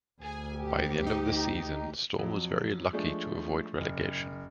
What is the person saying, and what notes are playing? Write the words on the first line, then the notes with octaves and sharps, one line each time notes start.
By the end of the season, Stal was very lucky to avoid relegation.
D2 G#4 G#5
G4
D#4
F2 F#3
F3 G#3 A3 D4
F#1